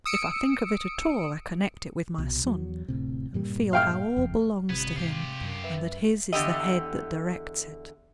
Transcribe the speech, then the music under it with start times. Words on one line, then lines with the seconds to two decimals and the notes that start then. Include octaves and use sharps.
If I think of it at all, I connect it with my son, and feel how all belongs to him, and that his is the head that directs it.
0.06 D#6 E6 C#7 D7
2.18 C2 B2
2.44 E2 F#3
2.88 D1 A2 C3
3.34 G2 A#2 G3
3.73 F5 G5 F6
4.17 F#1 F2
4.70 G1 C3 B3 G#6
4.97 G#2 F4 G4
5.41 F#2
5.64 B4 E5
6.33 E2 D3 G4 D#5